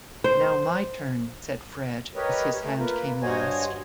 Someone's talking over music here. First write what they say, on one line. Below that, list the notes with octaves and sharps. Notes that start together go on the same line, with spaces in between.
"Now my turn," said Fred, as his hand came last.
C5
G4 A#4 B4 C#5 D#5
A3
A#3 F4 A#4 B4
G2 F#4 C5 C#5 D#5 G#5